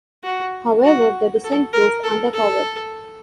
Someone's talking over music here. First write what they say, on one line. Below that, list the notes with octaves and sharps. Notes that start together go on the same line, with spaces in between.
However, the design proved underpowered.
F#4
F#4
A4
A#4
A4
A4